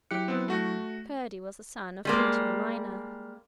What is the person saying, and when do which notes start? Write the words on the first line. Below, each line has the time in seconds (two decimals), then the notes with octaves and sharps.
Curdie was the son of Peter the miner.
0.11 F#3 E4 G4 F#6 C#7
0.28 B3 C4
0.48 A3 F#4
2.05 G3 G#3 A#3